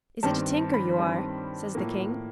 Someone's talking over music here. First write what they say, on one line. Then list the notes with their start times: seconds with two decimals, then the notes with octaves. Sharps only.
"Is it a tinker you are?" says the king.
0.23 G2 D#3 G3 C4 A5
0.74 B5
0.99 G2 D#3 G3 C4
1.75 A2 F3 A#3